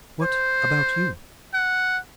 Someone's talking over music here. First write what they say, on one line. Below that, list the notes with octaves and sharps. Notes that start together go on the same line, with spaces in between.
What about you?
C5
F#5